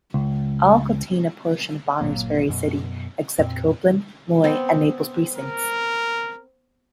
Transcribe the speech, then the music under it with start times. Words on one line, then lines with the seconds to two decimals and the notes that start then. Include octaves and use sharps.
All contain a portion of Bonners Ferry City except Copeland, Moyie, and Naples precincts.
0.14 C#2
2.00 G1 A#2 F#3 A#3
2.49 F#2 B2
3.39 F2 A#2 C4
4.44 B3 C4
5.36 A#4